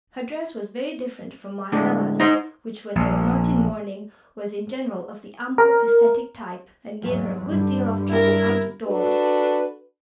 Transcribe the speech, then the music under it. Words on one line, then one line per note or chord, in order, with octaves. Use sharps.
Her dress was very different from Marcella's, which, when they were not in mourning, was in general of the ample "aesthetic" type, and gave her a good deal of trouble out of doors.
A2 D3 G#3
D#4 C5
A#1
A#4
E2 G#2 F#3
G2 D3 G3
E4 A#4
D4 F#4 A4 B4